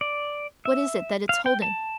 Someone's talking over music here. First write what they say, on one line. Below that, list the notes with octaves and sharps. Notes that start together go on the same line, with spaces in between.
"What is it that it's holding?"
D5
E5
F5
G5
A5